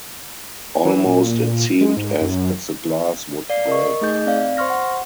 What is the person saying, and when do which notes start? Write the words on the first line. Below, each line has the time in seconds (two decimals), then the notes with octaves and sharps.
Almost it seemed as if the glass would break.
0.85 E3
1.05 A#2
1.81 G#3
1.97 G#2
2.21 F#2
3.50 D5 F5 C7
3.68 A#4 D#5 C#6
4.01 A3 D#4 G#4 D#5 G6
4.26 C4 D5 F5
4.57 C5 C6 C#6 F6 A#6
4.70 F#5